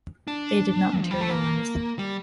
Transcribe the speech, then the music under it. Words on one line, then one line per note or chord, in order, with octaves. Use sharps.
They did not materialize.
D4
F3
G3
A3
A#3
G3